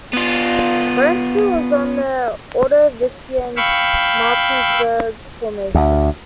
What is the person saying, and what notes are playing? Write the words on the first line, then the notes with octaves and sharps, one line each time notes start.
Branchville is on the Ordovician Martinsburg Formation.
B3 F4
F5 G5 B5 C#6 E6
D2